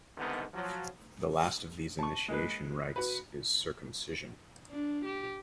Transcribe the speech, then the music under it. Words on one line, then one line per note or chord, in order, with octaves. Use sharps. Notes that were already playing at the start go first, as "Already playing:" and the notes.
The last of these initiation rites is circumcision.
C2 G#2 D3 D#3 B3
F3 F#3
A5 C#6
G#3 A#3 B4
F#4 B4
D4
G4